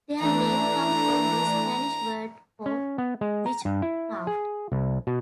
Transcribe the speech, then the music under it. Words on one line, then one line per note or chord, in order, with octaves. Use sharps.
Their name comes from the Spanish word for "witchcraft".
E3 A3 D4 A#5
C#4
B3
G#3
A#5
G2
E4
G#4
C2
B2